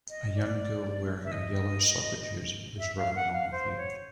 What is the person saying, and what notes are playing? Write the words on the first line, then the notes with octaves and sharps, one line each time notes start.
A young girl wearing a yellow soccer jersey is running on a field.
D#5
D5
E5
D#5
E5
F5
F#5
F5
C5
C#5